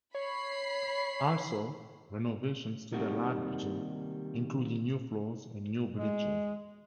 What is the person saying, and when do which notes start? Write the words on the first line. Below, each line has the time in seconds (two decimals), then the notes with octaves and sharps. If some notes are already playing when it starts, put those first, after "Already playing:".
Also, renovations to their large gym including new floors and new bleachers.
0.15 C#5 B5 C7
2.92 D#2 C3 D#3 G3 F#4
5.96 G#3